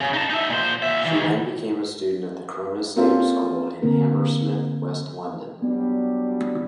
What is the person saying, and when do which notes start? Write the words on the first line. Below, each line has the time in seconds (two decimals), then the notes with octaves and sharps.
She then became a student at the Corona Stage School in Hammersmith, West London.
0.01 C#3
0.14 D#4 A5
0.30 D#4 E5
0.50 A#2 C5
0.82 A#2 E5
1.05 D#3 E3
2.96 A#3 C4 C#4 F4 A4
3.82 D3 A#3 C4 A#4
5.62 F#3 G3 B3 D4